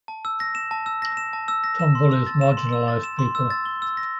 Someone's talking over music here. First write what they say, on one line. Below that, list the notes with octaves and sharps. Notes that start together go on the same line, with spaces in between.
Tom bullies marginalized people.
A5
E6
A#6
E7
A5
E6
A#6
E7
A5
E6
A#6
E7
C6
E6
A6
E7
C6
E6
A6
E7
C6
E6
A6
G7
E6
A#6